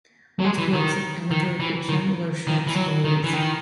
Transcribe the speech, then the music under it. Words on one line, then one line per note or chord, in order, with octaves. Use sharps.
Most works of amatory fiction were short stories.
F#3
G#3
E3
D#3
D#3
E3
D#3
D#3
E3
F#3
D#3
E3
D#3